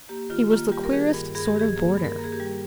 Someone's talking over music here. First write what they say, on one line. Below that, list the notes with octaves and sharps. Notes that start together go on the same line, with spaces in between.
He was the queerest sort of boarder!
A#3 G4
D#3 F4
A#3 F4
G3 G4
A#4
D#3 G#4
G2
G2 G#4
G4
D#3 G#4
A#3 G#4
G2
A#4
A#3
G#4
G4
G3